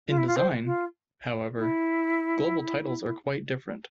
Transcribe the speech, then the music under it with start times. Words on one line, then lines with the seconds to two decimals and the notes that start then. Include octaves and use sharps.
In design, however, global titles are quite different.
0.08 F4
0.18 E4
0.27 F4
0.37 C5
0.65 F4
1.57 E4